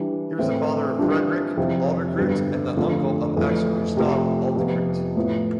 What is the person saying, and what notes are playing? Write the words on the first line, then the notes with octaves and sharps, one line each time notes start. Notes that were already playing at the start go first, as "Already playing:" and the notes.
He was the father of Fredrik Adlercreutz and uncle of Axel Gustav Adlercreutz.
Already playing: E3 G3 D4
A2 E3 A3 C4
E3 G3 D4 F4
F2 C3 F3 C4 E4
G2 D3 G3 B3
F2 D3 A3 D4 F4
F2 E3 A3
C3 F3 A3
F2 C3 F3 B3
A2 F3 B3 E4